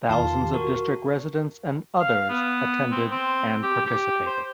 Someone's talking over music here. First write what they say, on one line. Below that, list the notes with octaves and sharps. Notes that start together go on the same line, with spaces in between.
Thousands of district residents and others attended and participated.
E2 D#3 F4 F5 A5 C6
G4
F#4 A#4
F5
B3
C4
C4
G4
G4
C5